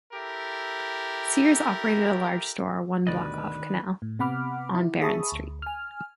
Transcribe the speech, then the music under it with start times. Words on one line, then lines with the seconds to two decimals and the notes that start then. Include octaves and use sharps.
Sears operated a large store one block off Canal, on Baronne Street.
0.12 E4 G4 A4 A#4
3.07 D2 G2 B2 D#3 B4 D5 D#5
4.02 A2
4.19 C3 B3 F#5 B5 D6 F6
4.75 E4
5.01 G#4 E5 A5 B5 C#6 D#6
5.32 D2
5.62 G#5 F6